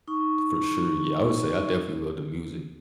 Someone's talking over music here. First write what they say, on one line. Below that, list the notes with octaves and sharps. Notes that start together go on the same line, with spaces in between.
For sure. Yeah. I would say, I definitely love the music.
D#4 C#6